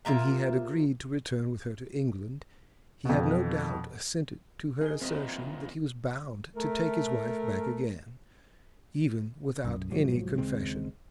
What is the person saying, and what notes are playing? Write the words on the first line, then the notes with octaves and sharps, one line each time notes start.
When he had agreed to return with her to England he had no doubt assented to her assertion that he was bound to take his wife back again, even without any confession.
C3 A#3 F4 E5
F2 B2
D#4 G#4 A#4 G7
B1 E2 A#2 C4 D#5
A3 A#4
B1 F#2
C2 G#2 F3 F#3
D#2 C#3 G#3 C4